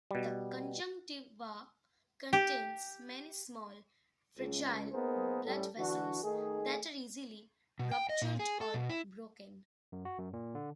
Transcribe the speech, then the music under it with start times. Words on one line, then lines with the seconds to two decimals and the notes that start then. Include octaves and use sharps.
The conjunctiva contains many small, fragile blood vessels that are easily ruptured or broken.
0.11 B2 G3
2.33 G4
4.38 C#2
4.92 A#3 B3 D#4 G#4 A#4 C5
5.45 A2 G3 C#4 A4
5.78 D3 E3 D4 F#4
6.22 D#3 A3 D#4 G#4
7.79 B2
7.91 G5
8.09 D#5
8.22 A#2
8.39 G#4
8.61 A4
8.74 B2
8.89 E4
9.92 F#2
10.05 F#4
10.18 F#2
10.33 A#2
10.55 D3